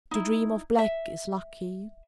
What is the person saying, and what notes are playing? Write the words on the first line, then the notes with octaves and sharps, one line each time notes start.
To dream of black is lucky.
D#4 E4
E5